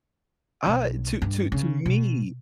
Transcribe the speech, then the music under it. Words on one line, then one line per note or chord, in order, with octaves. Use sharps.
Uh, i to to to me
B1
G2
C#3
B2